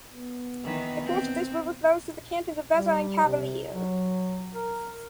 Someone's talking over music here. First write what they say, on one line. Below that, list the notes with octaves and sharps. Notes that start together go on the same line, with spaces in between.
The course of this river flows through the cantons of Vezza and Cavelier.
B3
D#3 E3 B4
C4
G3
C3
F#3
A#4